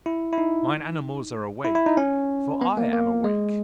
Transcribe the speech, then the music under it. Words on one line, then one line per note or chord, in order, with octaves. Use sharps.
Mine animals are awake, for I am awake.
E4
E4
D#4
E4
E4
D#4
C#4
B3
A#3
A#3
G#3